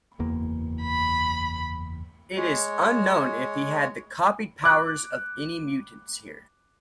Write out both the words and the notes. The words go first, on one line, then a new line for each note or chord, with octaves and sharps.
It is unknown if he had the copied powers of any mutants here.
F#1 E2 A#3
B5
G#3 C#5
D6 F#6